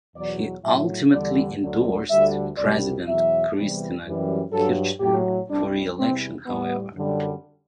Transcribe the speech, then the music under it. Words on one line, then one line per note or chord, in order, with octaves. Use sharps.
He ultimately endorsed President Cristina Kirchner for re-election, however.
E2 B2 F#3 D5
A2 F#3 E5
E2 D3 G3 D5
D2 D3 F#3
D2 D3 G3 E5
C2 B2 G3 D5
E2 B2 F#3 E5
E2 C3 E3 G3
F#2 E3 G3
G2 F#3 A4
A2 F#3 G4
C2 C3 G3 D4
E2 C3 E3 G3 C4
A2 G3 B3
F#2 D3 G3